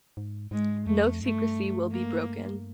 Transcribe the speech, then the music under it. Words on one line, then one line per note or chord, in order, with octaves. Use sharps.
No secrecy will be broken.
G#2
G#2 G#3
F2 A3
G2 A3
A#3